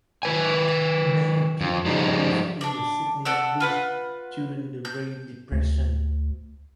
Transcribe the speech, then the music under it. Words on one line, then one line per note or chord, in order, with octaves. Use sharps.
Many people lived in the Sydney bush during the Great Depression.
D#3 B4 G#5
F2
F3 G3 D#4
D4 D5
A4 D5 F#5 E6
F4 B4 F#5
G6
D2